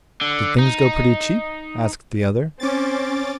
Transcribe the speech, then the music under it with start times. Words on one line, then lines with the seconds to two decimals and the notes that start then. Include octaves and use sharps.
'Did things go pretty cheap?' asked the other.
0.21 D3
0.59 D#4
2.60 C4 C#4 D6 A6